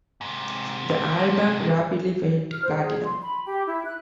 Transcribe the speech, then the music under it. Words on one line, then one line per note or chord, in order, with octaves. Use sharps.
The album rapidly went platinum.
G#2 C3
F6
C5
G#4
C6
B5
G4
E4
F#6